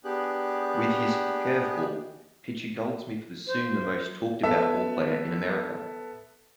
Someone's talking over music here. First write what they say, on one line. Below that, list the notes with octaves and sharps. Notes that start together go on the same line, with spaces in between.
With his "curve ball", pitcher Goldsmith was soon the most talked-about ballplayer in America!
B3 D4 G4 G#4 F#6
C5
B3 A4 E5